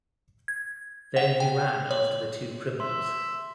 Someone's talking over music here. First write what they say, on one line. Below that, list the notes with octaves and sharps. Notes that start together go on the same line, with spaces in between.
Then he ran after the two criminals.
G#6
F#5
G5
C#5
E5 C6